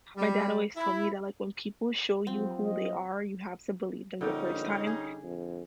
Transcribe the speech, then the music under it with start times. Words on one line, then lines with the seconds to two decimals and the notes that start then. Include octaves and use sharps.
my dad always told me that, like, when people show you who they are, you have to believe them the first time,
0.17 G3
0.76 E4
2.27 F3 F#3 C4 G4
2.63 D#5
4.21 A#1 D3 G3 C#4 D#4 G5
4.87 G#4
5.24 F2